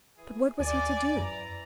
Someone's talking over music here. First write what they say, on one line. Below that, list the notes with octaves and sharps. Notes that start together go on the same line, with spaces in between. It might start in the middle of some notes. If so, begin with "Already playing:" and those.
But what was he to do?
E3 G#4
D#2 D5 G#5
F#2 E3 A#5